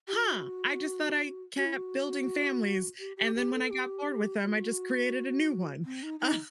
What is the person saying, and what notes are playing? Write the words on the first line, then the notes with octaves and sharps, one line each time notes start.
"Huh, I just thought I kept building families, and then when I got bored with them, I just created a new one." Um,
G4
F#4
F#4
E4
F#4
G4
G4
G4
A4
G4
F#4
C4
D#4
D#4